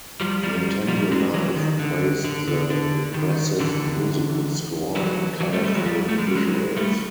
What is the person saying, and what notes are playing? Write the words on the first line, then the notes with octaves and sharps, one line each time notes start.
Nintendo Life praised the "impressive" musical score and "colorful" visuals.
F3 G3
F3 G3
F3 G3
F#3 G#3
E3 F#3
D#3
D3
D3
D3
D3
D#3
D3 E3
E3 F#3
E3 F#3
G3 A3
G3 A3
F#3 G#3
F3 G3
A3
G#3
G3
F#3 G#3
G3 A3